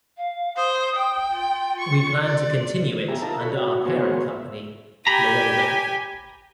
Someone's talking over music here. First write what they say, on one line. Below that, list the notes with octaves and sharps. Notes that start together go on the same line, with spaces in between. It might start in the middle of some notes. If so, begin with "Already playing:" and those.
We plan to continue it under our parent company, Lenovo.
F5
C5 D#6
G5
F4
C#6
D5
B3 G4 G#4 E5 A#5
D#4 F4 A#4 E5 A5 A#5
A4 C#5 B5
F#4
A#3 B3 F#4 G#4 C5 C#5
E5
G4 G#5 A#5 B5